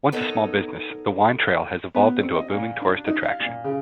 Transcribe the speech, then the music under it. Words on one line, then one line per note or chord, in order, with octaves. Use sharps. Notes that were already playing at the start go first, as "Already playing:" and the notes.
Once a small business, the wine trail has evolved into a booming tourist attraction.
B3 D#4 A4 A#4 C#5 D#5
B3
C4
D#5
A#2
D4
D#4
F5
A#2
C#3